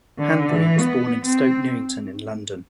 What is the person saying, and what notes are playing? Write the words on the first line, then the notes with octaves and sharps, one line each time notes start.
Hanbury was born in Stoke Newington in London.
D3
E3
B3
C4